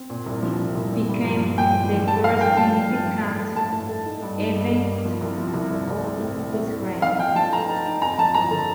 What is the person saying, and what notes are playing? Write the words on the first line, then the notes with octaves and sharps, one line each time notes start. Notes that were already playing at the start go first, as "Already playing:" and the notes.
This became the first significant event of his reign.
Already playing: C4
A#2
C2
F3
A#2
C2
A#2
G2
F3
G2
G2 G5
F3
A1
G2 A5
F3 F5
G2 G5
F3 A5
G2
F3
F3
A2
A3
A2 A5
A2
A3
D#4
G2
D#4
G2
A#3
A#3
F3
C2
F3
C2
C2
C2
C4
A2
A#1
A3
A2
C4
D#4 F5
F3 G5
F3 A5
A3 A#5
D#4
D#4
F2 A#5
F3 A5
F3 A#5
D3